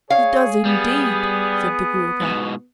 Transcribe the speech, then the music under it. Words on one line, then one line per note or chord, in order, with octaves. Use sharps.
"He does indeed," said the Gruagach.
G#4 C#5 F5
G3 B3
G#2 B2